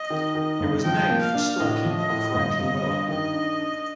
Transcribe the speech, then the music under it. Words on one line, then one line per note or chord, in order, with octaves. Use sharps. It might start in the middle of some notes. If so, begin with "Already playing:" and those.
It was named for storekeeper Frank Lewellen.
Already playing: D#5
D#3
D#3
G1
F3 G5
A#3
F5
D4
A2 D#5
F3
D#5
A2
G1
G1
G2
D#3 D#5
D4
D4